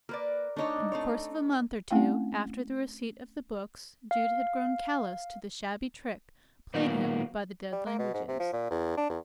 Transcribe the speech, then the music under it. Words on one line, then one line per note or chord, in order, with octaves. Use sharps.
In the course of a month or two after the receipt of the books Jude had grown callous to the shabby trick played him by the dead languages.
A#3 A#4 B4 D5
A3 D4 D#4 C#5 A5
A3 C4 C#5
A3 C4 C#4 E4 F5 G5
F5
A#2 D#3 F#3 A#3 B3
G3
A#3
B2
G#2
C3
F3
A#2
E2
D4
E2